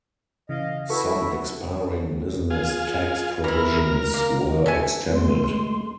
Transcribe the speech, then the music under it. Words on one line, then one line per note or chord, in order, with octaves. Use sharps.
Some expiring business tax provisions were extended.
C#3 E3 D#5 F5
E4 F#4 A4 B4 E5 C#6
F4 G#4
E3 E4 A#4 F6
A#3
A4 E5 G#5
G#3 A3 C6